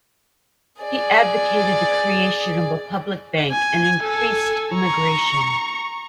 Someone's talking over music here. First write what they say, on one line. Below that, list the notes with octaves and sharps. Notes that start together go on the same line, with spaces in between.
He advocated the creation of a public bank and increased immigration.
G#4 D5
G#5
A4 G#5
A#5 C#6